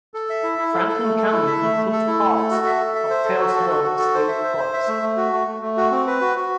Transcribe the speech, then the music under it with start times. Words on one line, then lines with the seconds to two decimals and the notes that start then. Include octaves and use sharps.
Franklin County includes part of Tate's Hell State Forest.
0.14 A4
0.30 E5
0.44 E4
0.59 E4
0.73 A4
0.88 A4
1.04 A3
1.18 A4
1.33 E4
1.47 E5
1.63 A3
1.77 A3
1.92 A4
2.07 E4
2.22 A3
2.36 A4
2.51 F#4
2.66 E5
2.81 A4
2.95 E5
3.10 C5
3.25 A4
3.40 F#4
3.55 A4
3.70 F#4
3.84 F#4
3.99 A4
4.14 C5
4.28 E5
4.44 C5
4.58 C5
4.73 E5
4.88 A3
5.02 A3
5.17 F#4
5.33 A3
5.47 A3
5.62 A3
5.77 F#4
5.91 C4
6.07 B4
6.21 F#4
6.37 F#4